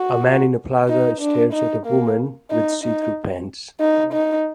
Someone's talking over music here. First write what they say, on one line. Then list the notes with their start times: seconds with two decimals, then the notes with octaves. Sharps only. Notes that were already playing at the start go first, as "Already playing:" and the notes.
A man in a plaza stares at a woman with see through pants.
Already playing: F#4
0.88 D#4
1.21 D4
1.53 D#4
1.86 A#3
2.50 D#4
2.84 D#4
3.81 D#4
4.13 D#4